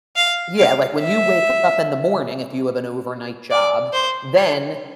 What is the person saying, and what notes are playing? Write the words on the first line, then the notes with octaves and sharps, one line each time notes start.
Yeah, like, when you wake up in the morning, if you have an overnight job, then
F5
F5
E5
D5
C5
C#5